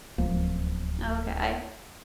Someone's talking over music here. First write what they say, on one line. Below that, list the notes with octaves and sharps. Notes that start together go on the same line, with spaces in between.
Okay. I
D1 C#2 F3 A#3